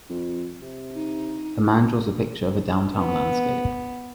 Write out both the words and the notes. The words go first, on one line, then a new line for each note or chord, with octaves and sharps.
A man draws a picture of a downtown landscape.
F2
C3
D#4
B3